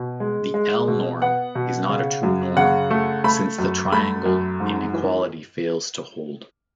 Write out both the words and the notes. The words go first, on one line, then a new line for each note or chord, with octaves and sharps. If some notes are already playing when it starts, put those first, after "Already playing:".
The "L"-norm is not a true norm, since the triangle inequality fails to hold.
Already playing: B2
G#3
G#3
B2
B3 F#5
B2
C#3
F#2
C#3 F#5
A3
A3 B5
F#2
A3 B5
F#2
G#2
E3